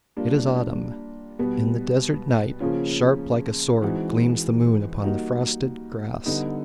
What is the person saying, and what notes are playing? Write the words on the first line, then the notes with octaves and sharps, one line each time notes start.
It is autumn; in the desert night, sharp like a sword gleams the moon upon the frosted grass.
G3 A#3 D4 F4
B2 G3 B3
C#3 F3 A#3 C#4 F4
E3 G#3 C4 D#4 F#4
G3 A#3 D#4 F#4
D3 G3 B3 D#4